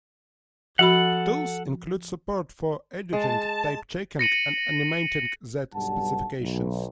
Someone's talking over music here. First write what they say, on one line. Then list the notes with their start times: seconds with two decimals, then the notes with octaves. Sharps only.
Tools include support for editing, typechecking and animating Z specifications.
0.79 F3 F#4 A4 F#5 B5
3.13 G#3 A5
4.19 A#6 C#7 D#7 F#7
5.74 B1 G2 G3 F#5 A5
6.41 B1